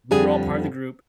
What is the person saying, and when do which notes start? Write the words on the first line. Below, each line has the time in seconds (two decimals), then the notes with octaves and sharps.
we were all part of the group,
0.11 F2 D3 G3 G#4